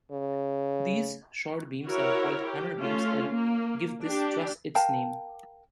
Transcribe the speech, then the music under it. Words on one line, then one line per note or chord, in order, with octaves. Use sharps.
These short beams are called hammer-beams and give this truss its name.
C#3
E4 F#4 A#4 C#5
G4
A3 C#4 F4
A#3
D4 G4
A#4 F5 G5 A5